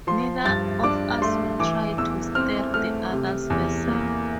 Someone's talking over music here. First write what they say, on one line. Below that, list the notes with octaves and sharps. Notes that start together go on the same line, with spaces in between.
Neither of us will try to steer the other's vessel.
F3 C6
G2 A6
D4 D6
A3 C6
E3 D6
E2 E6
C4 F6
A3 F6
C3
E2
A#3